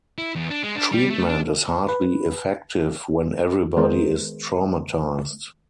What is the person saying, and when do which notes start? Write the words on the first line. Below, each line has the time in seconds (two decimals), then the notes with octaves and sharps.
Treatment is hardly effective when everybody is traumatized.
0.18 E4
0.35 E2
0.50 D4
0.63 G#3
0.76 D4
0.92 G3
1.10 A3
1.29 D4
1.88 B4
3.76 D#3 G#3 B3 G#4 A#4 C5